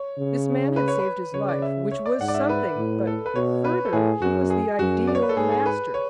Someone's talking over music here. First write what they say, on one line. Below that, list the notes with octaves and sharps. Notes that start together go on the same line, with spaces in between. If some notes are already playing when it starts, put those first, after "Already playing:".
This man had saved his life, which was something; but, further, he was the ideal master.
Already playing: C#5
C#3
B4
C#5
B4
C#3 C#5
D5
E5
C#5
D5
G#2 F#5
D5
E5
B4
A2
A4
B4
B2 C#5
B4
A4
A2 G#4
F#2 F#4
G#4
F#2 F#4
D5
C#5
B4
A4
G#2 G#4
G#4
B4
C#5